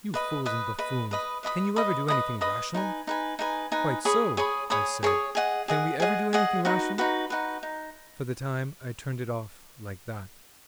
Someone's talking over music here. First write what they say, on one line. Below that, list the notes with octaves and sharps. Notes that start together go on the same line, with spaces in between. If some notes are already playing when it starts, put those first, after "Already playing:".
'You fools and buffoons, can you ever do anything rational?' 'Quite so,' I said, 'can we ever do anything rational?' For the time I turned it off like that.
B4 D#5 B5
B4 D#5 B5
B4 D#5 B5
B4 D#5 B5
B4 D#5 B5 D#6
B4 D#5 B5 D#6
B4 D#5 B5 D#6
B4 D#5 B5 D#6
D#4 B4 G#5
D#4 B4 G#5
D#4 B4 G#5
D#4 B4 G#5
G#4 C#5 B5 D#6
G#4 C#5 B5 D#6
G#4 C#5 B5 D#6
G#4 C#5 B5 D#6
G#4 D#5 F#5
G#4 D#5 F#5
G#4 D#5 F#5
G#4 D#5 F#5
D#4 F#4 B4
D#4 F#4 B4
D#4 F#4 B4
D#4